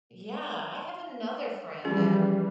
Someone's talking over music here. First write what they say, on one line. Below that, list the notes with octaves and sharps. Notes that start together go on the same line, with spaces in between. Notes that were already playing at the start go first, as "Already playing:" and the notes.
Yeah, I have another friend that
E3 F3 G3 C#4 F4 G#4